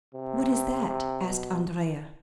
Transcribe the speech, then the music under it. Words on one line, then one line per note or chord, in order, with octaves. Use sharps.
"What is that?" asked Andrea.
C3
C3
B2